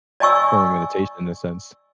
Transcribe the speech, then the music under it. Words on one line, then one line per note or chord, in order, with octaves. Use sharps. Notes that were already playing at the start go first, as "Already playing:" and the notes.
form of meditation in a sense,
D5 D#5 G#5 C#6 E6